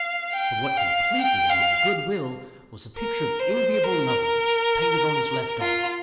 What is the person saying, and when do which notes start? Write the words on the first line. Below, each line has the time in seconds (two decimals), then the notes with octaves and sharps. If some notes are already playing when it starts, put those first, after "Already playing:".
But what completely won my good-will was a picture of enviable loveliness painted on his left arm.
Already playing: F5
0.33 G5
0.77 F5
1.21 G5
1.49 F5
2.97 A#4
3.40 C5
3.83 A#4
5.60 F4